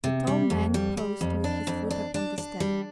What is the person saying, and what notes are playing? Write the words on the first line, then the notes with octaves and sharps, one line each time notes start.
The tall man paused with his foot upon the step.
C3
G3
F2
G3
G3
F2
D4
F2
D4
D4
D4
G3